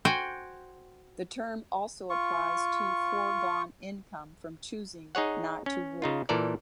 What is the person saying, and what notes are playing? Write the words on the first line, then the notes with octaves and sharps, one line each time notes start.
The term also applies to foregone income from choosing not to work.
F#4 C5 G5 G#5
F4 C#6
D#4 G#4 C#5 F#5
C#4
C#3 D#4 F4
A#2 E3 A4 A#4 D5